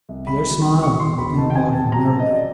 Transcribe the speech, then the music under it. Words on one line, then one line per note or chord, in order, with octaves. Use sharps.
Pierre smiled, looking about him merrily.
C2
G#3 B5
B2
C2
B2 C#6
E2 C6
E1 B5
D#3 A5
G5
C3 G#5
E2 A5
F#3 A#5
C#3 A5
D#5
D5